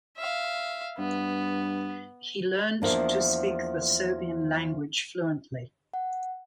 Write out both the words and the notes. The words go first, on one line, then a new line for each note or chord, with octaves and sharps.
He learned to speak the Serbian language fluently.
E5 F5
G2 B3
E2 F3 A#3 D4
F#5